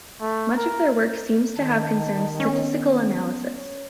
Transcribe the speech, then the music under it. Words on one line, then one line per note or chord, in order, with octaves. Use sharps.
Much of their work seems to have concerned statistical analysis.
A3
A#4
D#3 A5
B3 C#4
C#5